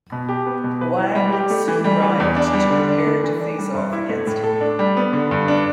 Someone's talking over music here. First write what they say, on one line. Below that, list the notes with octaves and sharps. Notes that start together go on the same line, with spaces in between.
Wang soon arrived to prepare to face off against him.
B2
G4
B3
B2
B4
E4
G3
G4
A3
E3
G3
E3
E2
D4
G3
D3
D4
A3
E3
D4
G3
G2
E4
A3
A2
A4
D4
G3
B3
D3
G2
D4